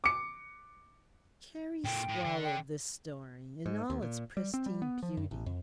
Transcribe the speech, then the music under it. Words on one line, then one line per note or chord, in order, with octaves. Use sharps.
Carrie swallowed this story in all its pristine beauty.
D6 C#7
A#2 A4 G5
A2
D3
G5
G#2
D#2
A#2
G3
C4
G3
B3
F3
F#2
A1
F2